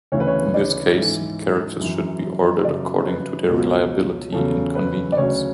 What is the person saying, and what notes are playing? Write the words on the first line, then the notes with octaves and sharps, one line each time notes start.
In this case, the characters should be ordered according to their reliability and convenience.
D2 C#3 E3 C#5
B4
C#5
D5
G#2 E3
F#2 E3
F#2 C#3 F#3 D5
B4
C#2 B2 F#3
E2 C#3 F#3 A4
B4
D5
D2 C#3 F#3 C#5